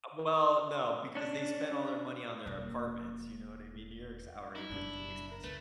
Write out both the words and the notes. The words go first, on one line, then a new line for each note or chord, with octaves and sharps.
Uh, well, no, because they spend all their money on their apartments, you know what I mean? New York's outrageous, the expression.
C#4 D4
E1 A#3
D#4 E4
F#1 F#2 B2 D4
A#4
C#2 A3 B4